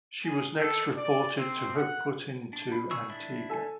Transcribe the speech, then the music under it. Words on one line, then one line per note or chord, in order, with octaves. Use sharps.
She was next reported to have put into Antigua.
G#4
A4
D5
C4
F#5
D4
B5
G#4 C#6 E6
D#3 D4 E4
A4 G#5